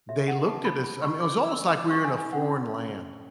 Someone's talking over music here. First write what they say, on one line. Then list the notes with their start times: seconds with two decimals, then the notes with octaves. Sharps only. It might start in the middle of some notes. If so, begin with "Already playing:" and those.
they looked at us I mean, it was almost like we were in a foreign land.
0.09 F#4 A4 C#5 E5
0.28 F#5
0.46 A5
0.65 B5
0.84 B5
1.02 C#6
1.20 C#4 F#4 A4 D6
1.49 E6
1.77 D6
1.91 C#6
2.05 G#5
2.19 G#5
2.33 C#4 E4 B4 F#5